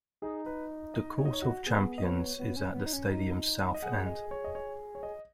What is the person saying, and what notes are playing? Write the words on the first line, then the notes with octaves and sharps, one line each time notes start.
The Court of Champions is at the stadium's south end.
D#4 G#4
B4
D#5
C#5
D#5
C#5
F#4
B3 G#4
D#5
C#5
B3
C#4
B3
D#4
C#4
D#4
D#5
G#4 F#5
D#5
C#5
D#5
C#5
C#5
D#5